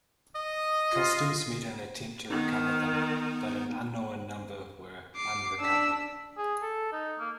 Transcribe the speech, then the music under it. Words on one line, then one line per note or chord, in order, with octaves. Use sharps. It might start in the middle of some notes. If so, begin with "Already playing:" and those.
Customs made an attempt to recover them, but an unknown number were unrecovered.
D#5
F4
D#3 B3 D#4
D6 C7
D4 E6 B6
G#4
A4
D#4
A#3